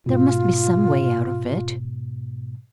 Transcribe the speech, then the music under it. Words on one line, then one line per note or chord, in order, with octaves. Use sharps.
There must be some way out of it.
G#2 B2 F4